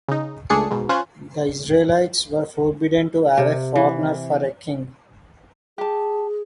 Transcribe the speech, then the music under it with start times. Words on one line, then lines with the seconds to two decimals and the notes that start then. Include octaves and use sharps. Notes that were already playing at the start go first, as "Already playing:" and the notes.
The Israelites were forbidden to have a foreigner for a king.
0.08 C#3 D#4
0.50 C#2 A3 D4 G#4 C7 C#7
0.71 G#2 B2
0.89 C#4 F4 C5 F#6 G#6
3.38 C3
3.76 E3
5.78 G4 G#4 A5